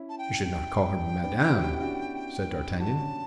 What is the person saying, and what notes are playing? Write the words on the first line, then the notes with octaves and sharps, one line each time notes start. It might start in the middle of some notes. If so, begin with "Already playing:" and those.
"You should not call her madame," said D'Artagnan.
Already playing: C#4 E4
A5
G5
G5
B3 D4
C#4 E4
F#4
E4 G4
D4 F#4
D4 F#4 A5
C#4